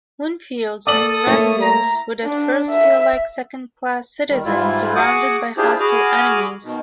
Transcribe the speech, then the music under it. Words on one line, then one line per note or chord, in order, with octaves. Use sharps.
Winfield's new residents would at first feel like second-class citizens, surrounded by hostile enemies.
A4 D5 D#6 F#7
A3 A#3 E4 C#5
A#5
D4
E5
D#3 G3
G#2 E3 G3 E4 F4
F#4 G#4 F#5 D6 D#6
D4 E4 F4 G4 G#4 C5
F#4 G#4 G#5 B5 D6 F6
B2 D#3